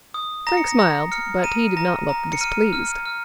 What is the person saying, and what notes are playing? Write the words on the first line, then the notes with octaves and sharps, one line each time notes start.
Frank smiled, but he did not look displeased.
D#6
A#5 A#6
C#7
A#6
A#5 A#6
F6 C#7
A#5 D#7
A#5 A#6
A#5
C#7
F6 D#7
F6
F6